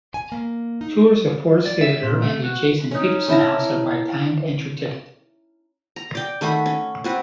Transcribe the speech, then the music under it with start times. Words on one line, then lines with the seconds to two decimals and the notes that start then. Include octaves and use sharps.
Tours of Ford's Theatre and the adjacent Petersen House are by timed-entry ticket.
0.14 G#5
0.32 A#3
0.81 D#4
1.65 D5
1.81 E5
2.03 A#2
2.22 A3
2.44 F#4
2.91 C#4 D#4
3.28 C#4 E4 A5 A#5
5.96 A#5
6.15 D5 G5
6.41 D#3 A3 F#4 B5
6.66 C#4
7.04 C4 F#4 B4